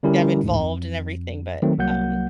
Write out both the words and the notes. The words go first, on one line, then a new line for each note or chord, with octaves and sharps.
them involved and everything, but, um
D3 G3 C#4 E4 G4 A#4
A1 D2 G#2
F2
D#3 F#3 A3 C4
C2 F#3 A#3 F#5 G6